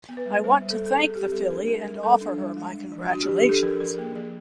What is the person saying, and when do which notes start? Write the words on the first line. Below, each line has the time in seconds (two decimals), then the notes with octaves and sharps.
I want to thank the filly and offer her my congratulations.
0.09 B3
0.17 B4
0.26 G3
0.44 G3 C5
0.62 G3
0.70 A4
0.79 G3
0.86 A4
0.97 C4 G#4
1.14 C4 G4
1.32 G3 A4
1.50 D4 A#4
1.68 G3 A#4
1.86 G3 A#4
2.03 G3 A4
2.21 D4
2.38 G3
2.57 G#3
2.74 D4
2.92 F3
3.09 D4 F#4
3.23 G4
3.28 F3
3.36 G4
3.45 D4 A4
3.63 F3 A#4
3.80 F3 A#4
3.98 A#3 G#4
4.15 F3 G#4